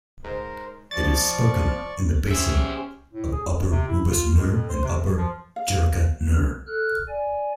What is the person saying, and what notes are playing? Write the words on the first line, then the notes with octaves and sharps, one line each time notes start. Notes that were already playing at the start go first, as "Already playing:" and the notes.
It is spoken in the basin of Upper Rubas-nir and Upper Chirakh-nir.
G#2 A#4 C5
F3 D5 C#6 A6
C#4 G4 G#4 C5 E5
A2
G#4
F2
C3
E4
F4
C#2
F2
C5
C3
F2
F3
F5
A4 F6 F#6
D5 G#5